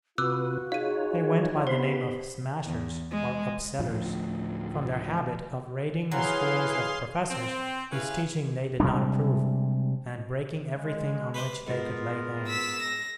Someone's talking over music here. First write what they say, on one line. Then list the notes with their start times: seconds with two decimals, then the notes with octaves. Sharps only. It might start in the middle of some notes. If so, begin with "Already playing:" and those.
They went by the name of "smashers" or "upsetters," from their habit of raiding the schools of professors whose teaching they did not approve, and breaking everything on which they could lay hands.
0.18 C3 F4 F#4 B4 D6 E6 F#6
0.72 D#4 F4 G#4 C#5 F5 D#7
1.67 D3 B3 D#4 G4 C5 B5 C6
2.66 E2
3.11 G#3
3.79 D2 A2 F3
6.11 E3 F#3 G#4 F5 C6
7.30 C4
7.91 C#4 E4 G#4 B4 C#5 F5
8.80 C3 G3 G#3 D4
10.76 G#3
11.34 B4 C5 D5
11.67 G#2 B3 F4 A#4
12.48 E6 B6
12.83 A#6